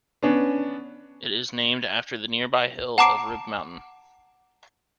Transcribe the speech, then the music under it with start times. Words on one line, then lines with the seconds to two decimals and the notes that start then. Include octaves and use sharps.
It is named after the nearby hill of Rib Mountain.
0.23 B3 C#4 D4
2.98 F#5 A5 A#5 D6 C7 D7